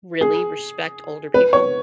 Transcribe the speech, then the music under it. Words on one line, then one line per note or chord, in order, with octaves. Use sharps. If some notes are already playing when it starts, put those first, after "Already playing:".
really respect older people
G#4
B4
C#5